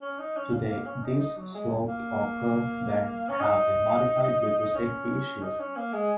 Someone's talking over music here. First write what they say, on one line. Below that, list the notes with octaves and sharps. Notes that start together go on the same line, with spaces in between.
Today these sloped or curved bends have been modified due to safety issues.
C#4
D#4
C#4
A#3
A#3
C#4
D#4
D#4
F#3
G#3
A#3
C#4
D#4
C#4
D#4
C#4
A#3
G#3